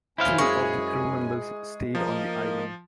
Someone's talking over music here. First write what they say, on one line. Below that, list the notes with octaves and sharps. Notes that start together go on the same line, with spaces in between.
Two of the crewmembers stayed on the island.
F#2 C#4 E4 C5 F5 G#5
G#3 G#4 C#6
F3 A#3 A#4 D#5